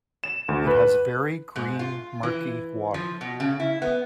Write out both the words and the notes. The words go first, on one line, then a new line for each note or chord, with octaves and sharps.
It has very green murky water.
E7
D2
B4
G#2
F4
E3
F3
B2
C#3
E4
B3